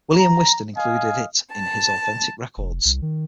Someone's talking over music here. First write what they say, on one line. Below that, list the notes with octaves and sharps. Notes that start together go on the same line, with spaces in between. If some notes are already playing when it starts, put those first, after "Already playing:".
William Whiston included it in his Authentic Records.
A#5
D#5 F5 G#5
A5
F1
C2
D#3